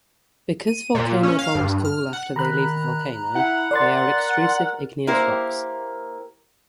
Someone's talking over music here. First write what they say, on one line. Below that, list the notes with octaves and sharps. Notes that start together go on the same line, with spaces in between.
Because volcanic bombs cool after they leave the volcano, they are extrusive igneous rocks.
D#7
A#2
C#4
F5
G2
F6
F#5
D#3 A#5 B5 F#6
E4 F#5
A#4 D5 C6 A6
A#3 E4 G4 A#4 C5